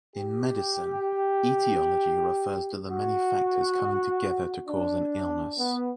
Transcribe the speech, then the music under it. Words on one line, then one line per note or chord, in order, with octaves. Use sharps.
In medicine, etiology refers to the many factors coming together to cause an illness.
G4
F#4
D4
B3